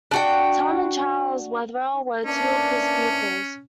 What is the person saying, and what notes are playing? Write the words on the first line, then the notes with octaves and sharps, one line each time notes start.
Tom and Charles Wetherell were two of his pupils.
D4 F#4 G5
E3 A#3 C#4 D4